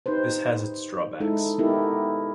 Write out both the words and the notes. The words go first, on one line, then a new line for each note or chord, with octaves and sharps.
This has its drawbacks.
D#4 G4 B4 C5
G#3 D#4 E4 A4
B3 D#4 E4 G4 A4 A#4